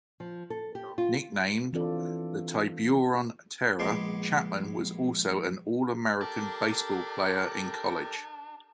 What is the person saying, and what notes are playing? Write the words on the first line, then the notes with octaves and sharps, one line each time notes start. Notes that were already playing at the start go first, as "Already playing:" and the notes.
Nicknamed the "Tiburon Terror", Chapman was also an All-American baseball player in college.
F3
A4
G4
F4
E3 C4 D4 F4 A4 D5
A#1 G#3 B3 C6 D6
D4 G4 A4 A#4